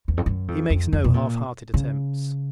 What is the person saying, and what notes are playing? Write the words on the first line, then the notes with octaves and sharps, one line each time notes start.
He makes no half-hearted attempts.
E2
F2
F#2
F2
F2
F2
B2
A#2
C#3